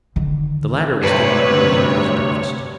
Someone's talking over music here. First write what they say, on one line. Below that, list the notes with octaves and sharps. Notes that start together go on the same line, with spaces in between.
The latter was thinking only of his breakfast.
D3 D#3
D2 G2 C3 B4 C#5